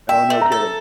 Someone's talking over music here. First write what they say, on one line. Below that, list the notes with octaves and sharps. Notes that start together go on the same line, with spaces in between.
Oh, no kidding.
E5 G5
A3
A#5
A4